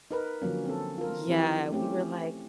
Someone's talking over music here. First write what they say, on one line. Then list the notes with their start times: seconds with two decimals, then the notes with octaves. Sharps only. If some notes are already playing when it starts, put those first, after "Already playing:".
Yeah, we were like,
0.11 D#4 A#4 B4
0.42 D3 F3 F#3 A#3 C#4
0.65 C4 A4
0.98 F4 A#4
1.27 E3 F3 C4 E4 G4 B4
1.72 A3 C4 C#4 G4